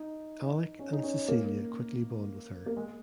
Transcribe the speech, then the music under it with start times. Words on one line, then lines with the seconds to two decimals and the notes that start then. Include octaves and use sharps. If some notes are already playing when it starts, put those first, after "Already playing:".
Alec and Cecilia quickly bond with her.
Already playing: D#4
0.79 C#4
0.93 D#4
1.03 C#4
1.28 A#3
2.66 A#3
2.77 G#3